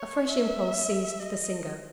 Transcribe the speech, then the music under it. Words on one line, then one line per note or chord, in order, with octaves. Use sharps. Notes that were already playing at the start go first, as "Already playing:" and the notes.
A fresh impulse seized the singer.
Already playing: C#5
E5
D#5